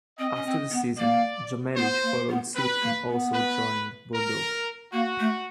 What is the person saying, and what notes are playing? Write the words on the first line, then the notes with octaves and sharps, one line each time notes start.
After the season, Jammeli followed suit and also joined Bordeaux.
C4 D#5
C#4
C4
B3
A#3 D5
B3 C5
A#3
B3
C4 B4
A#3
B3
B4
A#4
A#3 F#4
A3